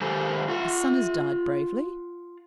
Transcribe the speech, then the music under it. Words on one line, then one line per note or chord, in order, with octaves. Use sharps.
Her son has died bravely.
D#3 G#3 G4 A4 C5 G#5
F4 F#5